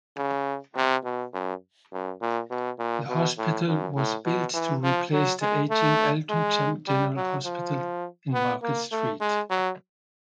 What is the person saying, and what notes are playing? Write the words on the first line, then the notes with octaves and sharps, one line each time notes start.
The hospital was built to replace the aging Altrincham General Hospital in Market Street.
C#3
C3
B2
F#2
F#2
A#2
B2
A#2
B2
A2
F#2
A2
B2
E3
F3
F#3
G#3
A3
G#3
G3
F#3
F3
B3
A#3
A3
G#3
F#3